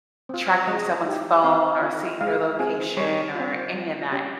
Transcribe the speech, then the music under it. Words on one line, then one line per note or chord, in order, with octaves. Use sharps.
tracking someone's phone, or seeing their location, or any of that.
C4 F4
G#3 D#5
D#4 G4
C4 F5
F4
G#3 F5
C4 F4 G#4
G3 C#5
C4 F4
G3
C#4 G4